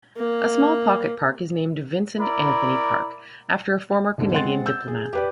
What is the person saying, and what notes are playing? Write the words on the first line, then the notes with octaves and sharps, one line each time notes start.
A small pocket park is named Vincent Anthony park, after a former Canadian diplomat.
A#3
E4 A#4 D5 B5
E1 G#2 D3
G#3 C4 C5 F#5 C6 A6
E6 G6
G#4
G4 B4 D5